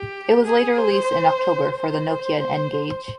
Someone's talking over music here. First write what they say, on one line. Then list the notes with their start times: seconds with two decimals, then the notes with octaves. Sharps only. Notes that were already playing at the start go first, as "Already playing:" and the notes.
It was later released in October for the Nokia N-Gage.
Already playing: G4
0.45 G#4
0.78 C5
1.78 C5